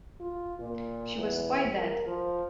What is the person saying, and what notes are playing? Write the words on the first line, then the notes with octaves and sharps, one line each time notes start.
She was quite dead.
F4
A#2
E2
A#4
F3